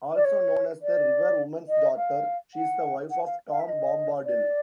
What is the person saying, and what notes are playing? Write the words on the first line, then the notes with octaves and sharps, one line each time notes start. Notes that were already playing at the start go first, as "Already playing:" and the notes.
Also known as the "River-woman's daughter", she is the wife of Tom Bombadil.
D5
C#5
D5
D#5
F5
F#5
F#5
F5
F5
E5
D#5
D5